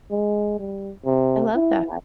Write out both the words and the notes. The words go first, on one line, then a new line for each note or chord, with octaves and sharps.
I love that.
G#3
G3
C3
E4